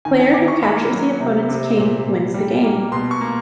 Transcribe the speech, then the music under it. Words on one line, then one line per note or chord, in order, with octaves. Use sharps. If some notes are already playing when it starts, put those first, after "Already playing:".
A player who captures the opponent's king wins the game.
D#3 G#5
G#5
D#3 D6
C#6
A#3 B5
F#3
C3
C3
A#2
A#2
G3
A#3
B2 C6
C#6
A#3